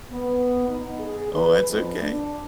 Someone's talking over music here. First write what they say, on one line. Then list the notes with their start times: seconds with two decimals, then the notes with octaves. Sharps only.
Oh, that's okay.
0.11 B3
0.67 D#4
0.99 G#4
1.31 B4
1.65 F2
2.00 D4